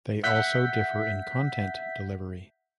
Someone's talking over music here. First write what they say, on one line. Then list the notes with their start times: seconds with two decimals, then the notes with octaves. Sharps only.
They also differ in content delivery.
0.23 E5 F#5 G6 B6